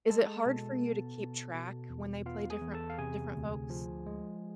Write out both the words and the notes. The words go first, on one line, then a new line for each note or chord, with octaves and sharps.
Is it hard for you to keep track when they play different different folks?
G#3 A4 A5
B2
B3
B2
B2
E2
B3 F4 F5
G#4 G#5
E2
A4 A5
F5
C3 G#4 G#5
D2
F3
G#3